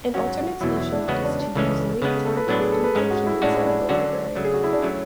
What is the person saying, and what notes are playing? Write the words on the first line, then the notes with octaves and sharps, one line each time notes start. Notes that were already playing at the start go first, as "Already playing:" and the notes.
An alternative solution is to use link time optimization instead of a library.
G#2 F#3 C#4 F#4
E2 B2 F#3 E4
E4
D4
E2 C#3 G#3 B3 C#4 F#4
D4
D4
C#2 C#3 E3 G#3 C#4 A4
A4
C#3 G#3 B3 B4
A4
A4
B4
A2 F#3 B3 D4 B4
G#4
A4
B4
G#2 G#3 C#4 G#4
F#4
E4
A2 G#3 C#4 D4 F#4
E4
D4
D3 F#3 C#4 D4 F#4
C#3 F#3 A3
G#4
F#4
E4
D4
F#3 A3 C#4 E4